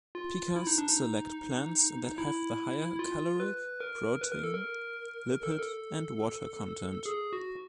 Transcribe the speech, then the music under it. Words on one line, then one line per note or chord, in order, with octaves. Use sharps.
Pikas select plants that have the higher caloric, protein, lipid and water content.
F4
E4
D#4
D4
D#4
E4
F4
B4
A#4
B4
A#4
A4
A#4
A4
A#4
A4
G#4
F#4